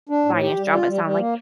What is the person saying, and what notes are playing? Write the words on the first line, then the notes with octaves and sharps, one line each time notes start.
finance job, it sounded like,
D4
A2
G4
G3
F4
G3
G3
A#3